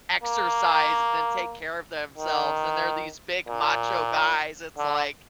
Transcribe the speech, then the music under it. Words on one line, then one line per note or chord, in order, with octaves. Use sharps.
exercise then take care of themselves and they're these big, macho guys, it's, like,
A#3
D#3
A#2
D3